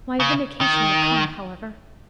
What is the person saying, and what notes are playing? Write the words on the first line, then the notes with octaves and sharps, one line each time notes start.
My vindication will come, however.
C#3
D#3